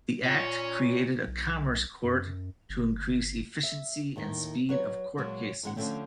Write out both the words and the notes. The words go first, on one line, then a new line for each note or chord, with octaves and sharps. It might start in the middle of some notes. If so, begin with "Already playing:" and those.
The act created a commerce court to increase efficiency and speed of court cases.
A#2 C#4 C#5
B1
F#2
G1
E5
D#2 A2 D#3
F#3 B4 C#5
A#2 F#3 G#3
G#2 G#3 F#5
D3 F3 F#3 A3 C4 C#4